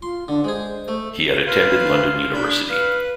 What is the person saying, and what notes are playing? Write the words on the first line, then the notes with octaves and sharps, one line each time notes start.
He had attended London University.
F4 C6
D3 D4
G#3 G#4 C5
A3
F4 B4 F5
D4 B5 G6
B4 F5